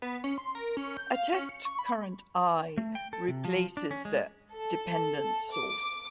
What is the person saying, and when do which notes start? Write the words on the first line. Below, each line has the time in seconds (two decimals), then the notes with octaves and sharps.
A test current "i" replaces the dependent source.
0.02 B3
0.24 C#4
0.38 C6
0.55 A#4
0.77 C#4
0.97 G6
1.10 F5
1.33 C#4
1.49 C#7
1.65 C#6
1.79 B5
2.78 A3
2.95 G5
3.13 A4
3.28 C3
3.45 F3
3.77 D4
3.91 C#4
4.05 G#3
4.52 A4
5.51 D6